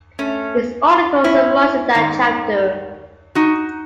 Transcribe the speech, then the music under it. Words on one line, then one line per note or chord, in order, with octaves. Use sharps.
This article summarizes that chapter.
A3 C#4
C#4 E4
G#2 D#3
D#4 F#4